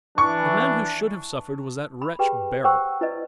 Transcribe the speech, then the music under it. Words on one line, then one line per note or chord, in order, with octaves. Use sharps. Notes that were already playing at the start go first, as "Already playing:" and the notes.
"The man who should have suffered was that wretch Beryl."
E3 D4 C#6
B5
G4 G#4 B4 G5
C5 F#5 G5 C#6 E6
E4 B4 D5 D#5